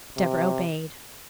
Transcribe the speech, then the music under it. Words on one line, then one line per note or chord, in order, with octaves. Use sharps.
Deborah obeyed.
C3